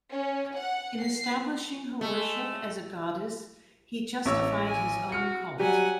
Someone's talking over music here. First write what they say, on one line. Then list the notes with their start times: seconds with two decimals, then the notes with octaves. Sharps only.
In establishing her worship as a goddess he justified his own cult.
0.10 C#4
0.56 F#5
1.02 C7
2.01 G#3 A3
4.25 A1 C#5 E6
4.67 G#5
5.12 F#4 F6 C#7
5.59 F#3 G3 G4 F#5 G#5